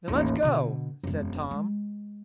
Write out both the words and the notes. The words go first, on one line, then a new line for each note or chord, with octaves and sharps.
"Then let's go," said Tom.
A1 D#2
B2 D3
E1 F#2
G#3